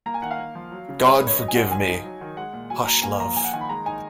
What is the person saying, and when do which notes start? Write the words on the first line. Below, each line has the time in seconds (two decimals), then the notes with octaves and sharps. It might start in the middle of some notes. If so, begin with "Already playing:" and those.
God forgive me! Hush, love!
0.06 A#3 A#5
0.14 G#5
0.22 D#3 F#5
0.31 F5
0.39 A#3
0.55 F3
0.71 F#3
0.89 C#3
1.06 G#3 C#5
1.16 D#4 B4
1.27 C#5
1.38 F#3 D#5
1.48 G#5
1.55 D#4 F#5
1.71 F3 G#5
1.87 D#4
2.04 F#3
2.21 D#3
2.37 G#3 F#5
2.53 A#2
2.70 F#3 G#5
2.87 A#2 A#5
3.03 A#3 G#5
3.20 F3 A#5
3.37 A#3 G#5
3.44 F#5
3.53 D#3 G#5
3.61 B5
3.69 G#3 A#5
3.85 D#4 G#5